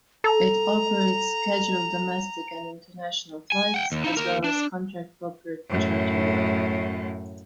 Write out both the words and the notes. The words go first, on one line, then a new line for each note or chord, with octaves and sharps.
It operates scheduled domestic and international flights, as well as contract corporate charter work.
A4 A#5
G#5
F#5 G5
D#2
D#4 E4
D#2 A#4
D4
F#2 A2